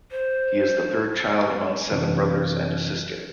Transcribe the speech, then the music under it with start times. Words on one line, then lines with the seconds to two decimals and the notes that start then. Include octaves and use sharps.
He is the third child among seven brothers and a sister.
0.11 C5
1.90 F#2 C3 E3 F#3 C4 D4